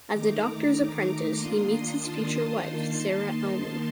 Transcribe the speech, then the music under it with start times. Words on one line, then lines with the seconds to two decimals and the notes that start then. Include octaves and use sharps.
As a doctor’s apprentice, he meets his future wife, Sarah Elmy.
0.12 D#3 A3 D#4 A#5 D6
1.36 D#3 A#3 D4 F4 C6 D#6
1.66 C6 D#6
1.97 A5 C6
2.59 D#3 A#3 D#4